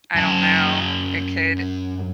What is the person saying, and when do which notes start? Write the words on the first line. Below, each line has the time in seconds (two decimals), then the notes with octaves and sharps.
I don't know. It could
0.16 F#2 A5